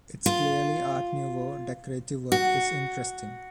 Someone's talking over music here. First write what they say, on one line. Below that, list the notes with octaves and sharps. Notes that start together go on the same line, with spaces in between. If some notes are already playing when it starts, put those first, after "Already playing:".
Its clearly art-nouveau decorative work is interesting.
F4
F#4